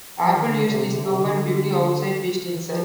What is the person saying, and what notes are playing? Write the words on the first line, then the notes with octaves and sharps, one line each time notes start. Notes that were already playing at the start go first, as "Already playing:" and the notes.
Apple used the slogan Beauty outside, Beast inside.
F3
D#3
D3
D3
C3
D3
C3
D3
F3